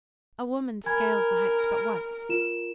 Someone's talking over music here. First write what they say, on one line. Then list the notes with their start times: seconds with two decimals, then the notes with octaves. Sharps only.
A woman scales the heights but once.
0.86 A#4 G#5 B5 G#6
2.29 F4 A#4 E7